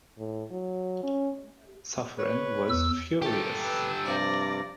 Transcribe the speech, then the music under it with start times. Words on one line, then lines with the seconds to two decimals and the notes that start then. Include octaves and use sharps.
Suffren was furious.
0.18 A2
0.51 F#3
1.03 C#4
2.18 B4 C#5
2.69 E2 E6
3.22 A3 G4 A4 G5
3.64 B4 E6
4.06 G2 C3 F3 C5 D5 A#6